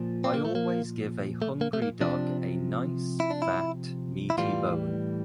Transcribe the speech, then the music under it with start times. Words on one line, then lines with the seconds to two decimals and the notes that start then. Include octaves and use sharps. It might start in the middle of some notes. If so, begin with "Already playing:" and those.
I always give a hungry dog a nice, fat, meaty bone.
Already playing: A#2 F3
0.24 C4
0.34 A#3
0.45 A3
0.55 A#3
1.42 A3
1.61 A#3
1.73 A3
1.82 A#3
2.01 C3 F3 D4
3.20 E4
3.31 D4
3.42 E4
4.30 E4
4.38 A2 E3 G3 F4